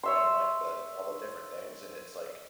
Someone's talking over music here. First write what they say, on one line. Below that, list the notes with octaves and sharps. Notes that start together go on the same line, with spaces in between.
and, like, the all the different things and it's like,
C#5 E5 C6